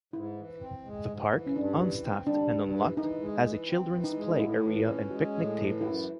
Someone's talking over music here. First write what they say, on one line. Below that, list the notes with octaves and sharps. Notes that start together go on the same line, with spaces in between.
The park, unstaffed and unlocked, has a children's play area and picnic tables.
G#2 E4
E3
C4
G#3
G#2
E3
C#4
G2 D4
E3
C4
G3 D4
G2
E3
E3 D#4
G#3
E3
C4
E3
D#4
G#3
D#4
A2 E4
E3
F4
C#4
G#3 F#4
A2
E3
F#2 E4